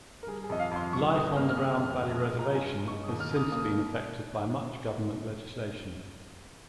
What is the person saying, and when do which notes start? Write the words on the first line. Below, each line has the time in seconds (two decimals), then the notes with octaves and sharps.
Life on the Round Valley Reservation has since been affected by much government legislation.
0.23 A#4
0.27 G3 G#4
0.44 G#4
0.50 F2 D#5
0.59 F5
0.71 F2 C6
0.92 G3 C#6
1.14 G1 D#6
1.36 A#3 F6
1.49 F6
1.57 C#3 D#6
1.74 F6
1.79 F1
1.90 F6
2.01 F1
2.16 D#6
2.23 G#3 F6
2.39 A#5
2.44 G2
2.55 G#5
2.66 G2
2.88 G#3 C#6
3.04 D#6
3.08 D#2
3.20 F6
3.31 D#2
3.36 D#6
3.52 A#3 D#6